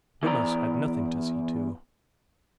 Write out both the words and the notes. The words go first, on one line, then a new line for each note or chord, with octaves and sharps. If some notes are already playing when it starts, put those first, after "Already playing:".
Wemyss had nothing to see to.
E3 B3 D5 A#5